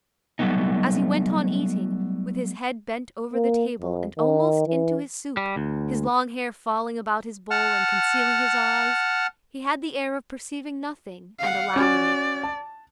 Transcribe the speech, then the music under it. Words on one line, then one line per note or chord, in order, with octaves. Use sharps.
As he went on eating, with his head bent over the table and almost into his soup, his long hair falling about his bowl and concealing his eyes, he had the air of perceiving nothing and allowing it.
F#3 G3 A3 B3 D#4
A#3
F2
D#3
E3
G3
D2
F#5 A5 F6
F5 F#5
C#4 F#4 D5
A5